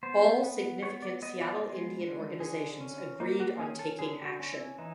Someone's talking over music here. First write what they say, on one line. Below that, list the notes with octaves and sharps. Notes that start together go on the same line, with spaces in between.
All significant Seattle Indian organizations agreed on taking action.
B3 C5
B3
B3 C#5
D5
B3 D#5
D5
G#3
D3
D3 G#4
C#4
A#3 D#4
F#4
C#4 G#4
A4
D3 G#4
G4
F#4
C#4
E4
E3 D#4